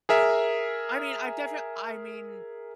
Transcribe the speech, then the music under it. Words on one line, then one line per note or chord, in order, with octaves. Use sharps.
I mean, I def I mean,
G#4 A#4 E5